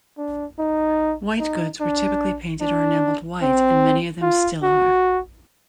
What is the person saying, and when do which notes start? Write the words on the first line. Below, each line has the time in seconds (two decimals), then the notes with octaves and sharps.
White goods were typically painted or enameled white, and many of them still are.
0.18 D4
0.59 D#4
1.40 D#4
1.80 D4
2.61 D4
3.42 C4
4.22 F4
4.63 F#4